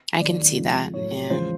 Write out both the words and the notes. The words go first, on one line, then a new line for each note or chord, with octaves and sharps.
I can see that, yeah.
D#2 D#3 F#3 D5
F2 C#3 F3 G#3
A2 F#3 C#5
E2 C#3 F3 G#3 C5